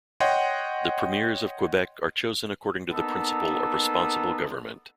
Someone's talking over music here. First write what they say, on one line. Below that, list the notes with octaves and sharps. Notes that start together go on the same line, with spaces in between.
The Premiers of Quebec are chosen according to the principle of responsible government.
C#5 D#5 F#5 G5 C6
A#3 B3 D#4 A4